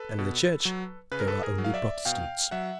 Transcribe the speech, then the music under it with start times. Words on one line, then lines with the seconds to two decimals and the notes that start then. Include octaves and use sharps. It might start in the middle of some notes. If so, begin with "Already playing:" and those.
And in the Church there are only Protestants.
Already playing: A4 B4
0.19 B2
0.65 F#3
1.12 C#3 B4
1.20 A#4
1.28 A4 B4
1.43 G#4 A#4
1.58 F#3
1.65 F5
1.74 D5 E5
2.05 B2 F5 G5
2.51 F#3 E5 F#5